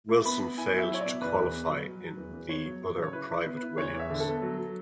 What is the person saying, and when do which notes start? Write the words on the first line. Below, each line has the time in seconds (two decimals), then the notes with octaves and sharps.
Wilson failed to qualify in the other private Williams.
0.09 E4
0.25 B3 B5
0.42 B3
0.57 E4 G#5
0.73 F#3 E5
0.90 E4 C#5
1.01 B2 D5
1.21 E2 B4
1.37 E2
1.53 B2
1.69 F#3
1.86 F#3
2.01 F#3
2.17 E2
2.34 E2
2.49 B3 C#5
2.65 F#3
2.82 F#3
2.97 C#3
3.02 C#5
3.13 E4 B4
3.30 E4
3.46 B3
3.57 B4
3.62 E4
3.78 E2 C#5
3.94 E2
3.99 E5
4.10 D3
4.20 A4
4.25 B3
4.42 F#3
4.57 F#3